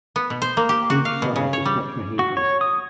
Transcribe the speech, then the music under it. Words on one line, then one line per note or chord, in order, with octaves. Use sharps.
Each Si is tetrahedral.
B3
B2
C5
A#3
G4
F#4
F5
B2
C#3
C#5
G3
F#4
C#5
D#6